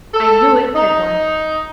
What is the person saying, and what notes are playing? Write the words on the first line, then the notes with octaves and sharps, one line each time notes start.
'I knew it,' said one.
A4
D#4